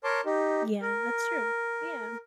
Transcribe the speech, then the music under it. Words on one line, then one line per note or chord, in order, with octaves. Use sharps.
Yeah, that's true, yeah.
A#4 C#5 A5 C6 D6
D#4 G4
A#4